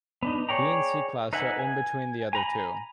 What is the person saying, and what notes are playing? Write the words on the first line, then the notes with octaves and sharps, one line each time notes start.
B and C-Class are in between the other two.
B3 D4 D#4
G#4 C#5 D5 G5 A#5
D#4 B4 E5 F#5 G#5
G#5
G#5 A#5 B5